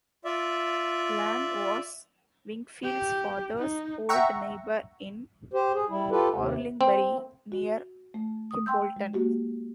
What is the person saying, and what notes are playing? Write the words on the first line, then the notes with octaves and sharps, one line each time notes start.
Lane was Wingfield's father's old neighbour in Orlingbury, near Kimbolton.
F4 D5 E5
G4
D#4
E5 F#5 G5 A#5 C#6
G4 C5
G#4
G3 E4
F4 G4 A4 B4
D#2 C3
C4
F#4
A3
D#6
G5 C6 E6 G6
G#3
A#3 F#4 G4